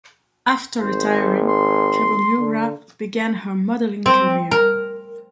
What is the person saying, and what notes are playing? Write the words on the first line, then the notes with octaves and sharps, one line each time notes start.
After retiring, Kawamura began her modeling career.
G#1 C5
C6
D3
C4
A#4